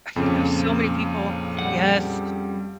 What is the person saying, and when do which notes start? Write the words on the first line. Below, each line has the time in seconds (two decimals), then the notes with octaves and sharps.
okay I know so many people yes.
0.16 F2 A#2 C#3 F3
1.59 G3 F#5